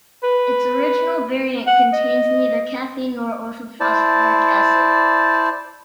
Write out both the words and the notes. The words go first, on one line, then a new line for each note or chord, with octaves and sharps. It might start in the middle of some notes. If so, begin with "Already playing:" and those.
Its original variant contains neither caffeine nor orthophosphoric acid.
B4
F#5
D#5
E4 C5 D5 A5